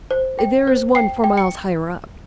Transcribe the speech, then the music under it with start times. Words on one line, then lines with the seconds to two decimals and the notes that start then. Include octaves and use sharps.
There is one four miles higher up.
0.11 C5
0.39 G5
0.67 C5
0.95 G5 C7
1.24 G5
1.37 C#7